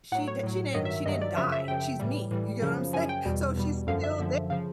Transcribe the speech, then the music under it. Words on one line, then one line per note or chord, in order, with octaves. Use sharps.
She d she didn't she didn't die. She's me. You get what I'm saying? So she's still there
A2 F#3 F#5
C#5
A2 F#3
G2 D#3 F#3 D#5
E5
G2 D#3 F#3 D#5
D5
F#2 C#3 F3 E5
E5
F#2 C#3 F3 G5
A2 E3 G3
A2 E3 G3
F#2 C#3 F3
F#2 C#3 F3 G#5
G5
E2 B2 G3
E2 B2 G3
F#2 D3 F3 F5
E5
F#2 D3 F3 E5
C#3 F3 F5